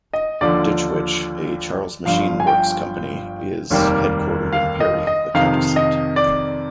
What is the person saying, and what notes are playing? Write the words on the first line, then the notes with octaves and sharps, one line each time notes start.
Ditch Witch, a Charles Machine Works company, is headquartered in Perry, the county seat.
D#5
D#2 D3 F3 D5
G1 G2 F3 F5
G#5
G5
F1 D#2 D#3 G3 A#3
F5
D#5
D#5
F2 C3 D#3 F5
D#5
D5